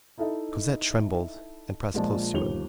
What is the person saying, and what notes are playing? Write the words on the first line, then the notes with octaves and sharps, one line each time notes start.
Cosette trembled and pressed close to him.
D#4 E4 A4 D#5 E5
A#1 A#2 G#3 D5 A5
G1 D#2 F3 F7 G7